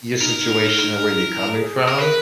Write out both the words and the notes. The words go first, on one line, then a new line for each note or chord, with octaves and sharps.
your situation and where you're coming from,
D#4 A#4
E4
G#4
A#4
A#4 B4